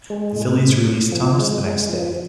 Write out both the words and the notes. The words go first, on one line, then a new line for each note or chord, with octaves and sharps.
The Phillies released Thomas the next day.
G#3
A2
A2
A2
F3
G#3
G#3
F3